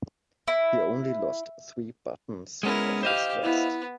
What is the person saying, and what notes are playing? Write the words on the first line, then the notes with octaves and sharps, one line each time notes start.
He only lost three buttons off his vest.
E4
G#3 B3 C#4 E4 A#4
G4 C5 D#5 F5
B3 E4